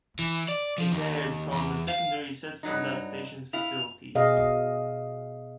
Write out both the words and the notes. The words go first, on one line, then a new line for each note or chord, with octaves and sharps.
It aired from a secondary set from that station's facilities.
E3
D5
F3
D#2
E2
F5
G2 F#3 D#4
E4 F5 F7
B2 G#4 D#5 F5